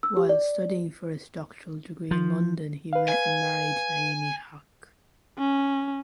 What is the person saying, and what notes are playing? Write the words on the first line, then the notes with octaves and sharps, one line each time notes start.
While studying for his doctoral degree in London he met and married Naimi Haque.
E6
G4
D5
F3
B4 F5
G#5
C#4